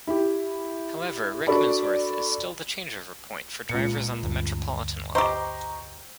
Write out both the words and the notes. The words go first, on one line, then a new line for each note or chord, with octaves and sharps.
However, Rickmansworth is still the changeover point for drivers on the Metropolitan line.
E4 G4
D4 F#4 A4 D5 B5
C#2 A#2 C#7
D2 G2
G4 C5 D#5 A#5 C#6